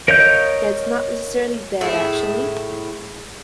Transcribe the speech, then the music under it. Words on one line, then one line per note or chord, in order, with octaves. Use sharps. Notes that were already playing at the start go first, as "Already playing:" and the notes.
That's not necessarily bad, actually.
A#4 C#5 D#5 F5 G6
A2 E4 G#4